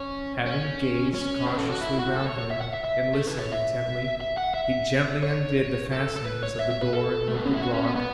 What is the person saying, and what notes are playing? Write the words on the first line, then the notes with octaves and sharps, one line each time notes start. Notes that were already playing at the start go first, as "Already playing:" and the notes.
Having gazed cautiously round him, and listened intently, he gently undid the fastenings of the door, and looked abroad.
Already playing: C#4
C#4
C#4
B4
A4
F#4
E4
F#4
A4
C#5
C#5
E5
F#5
E5
E5
A4
B4
C#5
E5
E5
F#5
E5
C#5
A4
A4
B4
C#5
E5
E5
B4
A4
A3
B3
C#4
E4
F#4
C#4
B3
B3